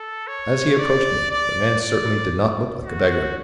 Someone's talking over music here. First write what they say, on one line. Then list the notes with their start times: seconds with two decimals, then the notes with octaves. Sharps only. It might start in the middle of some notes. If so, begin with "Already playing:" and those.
As he approached me, the man certainly did not look like a beggar.
Already playing: A4
0.27 C#5
0.78 D5
1.31 D5
1.81 D5
2.85 F#4